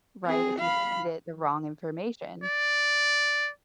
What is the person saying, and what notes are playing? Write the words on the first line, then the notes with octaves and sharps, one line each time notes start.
right, if you feed it the wrong information.
C4 G#4
F5 B5
D5